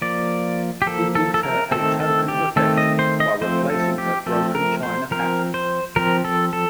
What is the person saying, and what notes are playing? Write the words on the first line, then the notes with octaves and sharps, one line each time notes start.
He gives her a token of affection by replacing her broken china pattern.
F3 A#3 D5
G4
F3 A#3 A4
A4
A4
A#4
D#3 A3 C4 A4
A4
G4
D#3 A3 C4 A4
D#5
C5
D#5
F3 A3 C4 C5
A4
G4
F3 A3 C4 A4
A#4
C5
F3 C4 A#4
C5
F3 C4 A#4
A4
A4